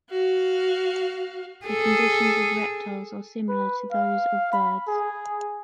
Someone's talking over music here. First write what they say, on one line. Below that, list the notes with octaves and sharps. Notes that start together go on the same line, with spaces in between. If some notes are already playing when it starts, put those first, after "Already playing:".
The conditions of reptiles are similar to those of birds.
F#4 F5
G#4 A4
B4
F5
B5
G#4